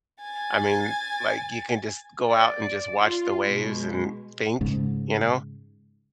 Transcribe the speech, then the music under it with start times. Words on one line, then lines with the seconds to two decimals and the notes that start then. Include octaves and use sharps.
I mean, like, you can just go out and just watch the waves and think, you know?
0.21 G#5 A6
2.28 D5
2.99 F4
3.46 B2 G#3
4.61 G#2 C#3